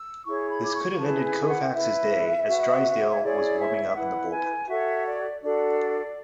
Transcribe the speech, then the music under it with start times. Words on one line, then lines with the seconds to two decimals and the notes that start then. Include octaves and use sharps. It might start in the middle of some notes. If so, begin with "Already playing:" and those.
This could have ended Koufax's day as Drysdale was warming up in the bullpen.
Already playing: E6
0.26 E4 G#4 C#5 C#6
0.51 B5
0.65 D6
0.75 C#6
1.00 E4 G#4 B4 A5
1.24 G#5
1.48 F#5
1.74 E4 B4 E5
2.47 F#4 B4
3.09 C#5
3.21 E4 G#4 C#5 D5
3.57 E5
3.94 E4 B4 F#5
4.31 G#5
4.68 F#4 A4 C#5 E5
5.05 D5
5.42 D4 F#4 A4 D5
5.79 D5